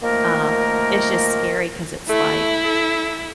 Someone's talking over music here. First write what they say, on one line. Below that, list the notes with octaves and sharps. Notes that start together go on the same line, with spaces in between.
um, it's just scary 'cause it's, like,
D#3 F3 A3 A#3 A#4
A3 E4
A4